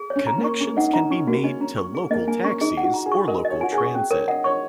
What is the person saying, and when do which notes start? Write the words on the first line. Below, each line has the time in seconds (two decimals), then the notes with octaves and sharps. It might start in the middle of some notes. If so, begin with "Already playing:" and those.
Connections can be made to local taxis or local transit.
Already playing: G#4
0.10 C#5
0.16 C#4
0.27 A#5
0.38 A#3
0.44 C#6
0.60 C#4 G#4
0.77 D#4 F#5
0.93 D#4 A#5
1.10 C#4 C#6
1.27 A#3 F#4
1.43 C#4 D#5
1.61 C#4 A#5
1.78 C#6
1.95 G#4
2.10 A#3 D#5
2.27 A#3 G#5
2.44 C#4 C#6
2.61 D#4 G#4
2.77 F#5
2.83 F#4
2.94 A#5
3.06 G#4
3.12 C#6
3.27 A#4 D#5
3.45 D#5
3.50 C#5
3.61 F#4 G#5
3.73 G#4
3.78 C#6
3.95 C#4
4.11 A#4 C#5
4.28 D#5 F#5
4.44 C#5 C#6